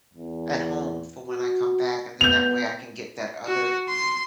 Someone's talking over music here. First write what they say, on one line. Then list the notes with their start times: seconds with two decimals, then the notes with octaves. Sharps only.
at home for when I come back, and then that way I can get that other
0.14 E2
1.27 F#4
2.21 B3 G6 F7
3.46 F#4
3.89 C6